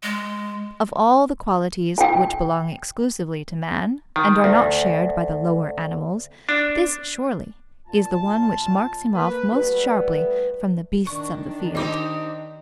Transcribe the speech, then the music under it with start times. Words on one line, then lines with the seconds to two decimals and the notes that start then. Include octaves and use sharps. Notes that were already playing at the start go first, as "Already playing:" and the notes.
Of all the qualities which belong exclusively to Man and are not shared by the lower animals, this surely is the one which marks him off most sharply from the beasts of the field.
0.03 G#3
1.98 G5 G#5
4.16 D#3
4.44 D2
6.49 D4
7.88 A#2 F4 A5
9.14 A#3 B4
9.52 G3 A3 B3 B4
11.07 D#3 D4 C#6
11.75 C4 D#4 G4 D#5 D6